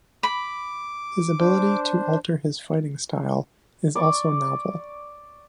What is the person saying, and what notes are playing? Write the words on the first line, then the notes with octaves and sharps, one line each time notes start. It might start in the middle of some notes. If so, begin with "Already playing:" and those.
His ability to alter his fighting style is also novel.
B5 D6
D4 C5
D5 C#6